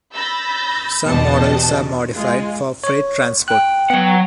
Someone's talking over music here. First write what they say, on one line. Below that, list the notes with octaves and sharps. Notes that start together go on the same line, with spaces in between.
Some models are modified for freight transport.
B5 E6 G6 A6 A#6
E2 B2 D4 G4 D#5 A5
G#3 F4
C#5
G5 F#6
F#3 B3 F#5